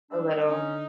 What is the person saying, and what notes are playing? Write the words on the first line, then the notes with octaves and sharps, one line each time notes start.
a little.
G3 D4 E6
D3 C#4 D#4